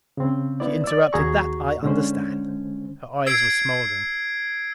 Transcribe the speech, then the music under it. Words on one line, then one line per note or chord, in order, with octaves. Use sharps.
She interrupted, "That I understand." Her eyes were smoldering.
C#3 C4
B3 E4 C5 D5
D5 E6
D#2 F#4 G#4 A#5 C#6
D3 G#3 C#4 C5
E6 G#6 C7 D7